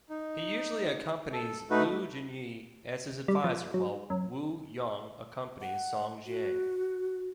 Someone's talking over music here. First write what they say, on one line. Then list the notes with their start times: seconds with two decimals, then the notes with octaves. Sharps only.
He usually accompanies Lu Junyi as his advisor while Wu Yong accompanies Song Jiang.
0.10 D#4
1.33 A4
1.70 A3 D#4 F#4 B4
3.28 G3
3.44 F3
3.74 F#3
4.10 F#2
5.61 F#5
6.26 F#4